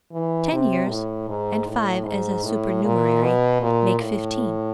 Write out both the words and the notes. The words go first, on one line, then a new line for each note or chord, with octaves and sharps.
"Ten years, and five as a supernumerary make fifteen."
E3
C3
A2
G#2
A2
G#2
A2
A#2
B2
A#2
A2